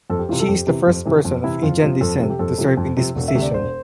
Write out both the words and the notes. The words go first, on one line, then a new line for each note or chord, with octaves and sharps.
She is the first person of Indian descent to serve in this position.
F2 A4
G4
C3 E3 F4
A4
F2 G4
C3 E3
F2
C3 E3
F2
C3 E3 E4
F2 F4
C3 F3
F2 A4
C3 F3 A4
G4
F2 A4
C3 F3
F2
C3 F3
E1
E5
D2 C3
D5
E1 C5